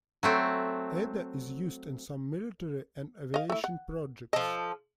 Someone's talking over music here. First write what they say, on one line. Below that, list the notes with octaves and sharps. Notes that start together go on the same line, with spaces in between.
Ada is used in some military and aviation projects.
F#3 A3 C4
D#5 F5
A3 E4
F#5
F3 A4 D#5